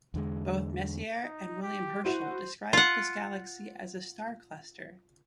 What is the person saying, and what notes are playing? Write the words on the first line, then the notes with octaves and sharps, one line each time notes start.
Both Messier and William Herschel described this galaxy as a star cluster.
E2 D3 G#3
D#4
G4
E4 F#4 C5 D#7
F4 F#5